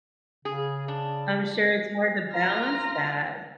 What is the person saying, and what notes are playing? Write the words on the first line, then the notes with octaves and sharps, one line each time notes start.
I'm sure it's hard to balance that.
C#3 G#4
D4
F4 A#5 F6 A#6